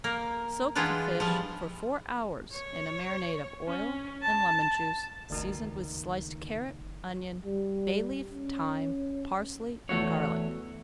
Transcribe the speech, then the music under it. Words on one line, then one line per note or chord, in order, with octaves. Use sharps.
Soak the fish for four hours in a marinade of oil and lemon-juice, seasoned with sliced carrot, onion, bay-leaf, thyme, parsley, and garlic.
A#3 A#4
E3 G#3 B3 D4 F4 B4
F3 G3
C#5
C#4
A5
F#1 D2 D#3 D#4
G3
C#4
E2 A3 F#4 C#5